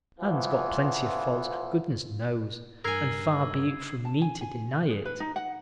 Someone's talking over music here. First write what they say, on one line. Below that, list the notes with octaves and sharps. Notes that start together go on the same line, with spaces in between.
Anne's got plenty of faults, goodness knows, and far be it from me to deny it.
D3 E3 F3 A3 B3 F4
G2 A#4 G#5 E6 G#6 C7
A5
G#5
G#5
G#4
B4
D#4
F#5